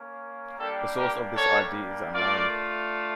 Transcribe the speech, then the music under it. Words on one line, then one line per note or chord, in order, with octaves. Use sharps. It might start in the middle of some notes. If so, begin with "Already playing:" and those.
The source of this idea is unknown.
Already playing: A#3 C#4
G3 A#3 D4 G4 A4
G4 A#4
A4 C#5
A3 D4 F4 A#4 D5